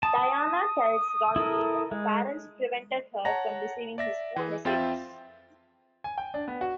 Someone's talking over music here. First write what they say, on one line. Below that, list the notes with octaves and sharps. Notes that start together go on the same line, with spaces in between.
Diana tells Rocky that her parents prevented her from receiving his phone messages.
A5 D#6
E4 A4 A#4
G#3
C#5 F#5 A5 A#5 A#6
D5 E5 A#6
E3 G#4
F2 C4 F4 E5 G5 A6
G#5
G5
D4
B3
F#4